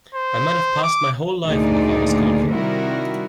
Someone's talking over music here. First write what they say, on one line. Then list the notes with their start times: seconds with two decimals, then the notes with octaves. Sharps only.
I might have passed my whole life in the farmer's cornfield.
0.15 C5
0.83 D6
1.46 D2 A#2 D#3 D#4 G#4 D5
2.50 C3 D#3 G3 E4 F#4 A#4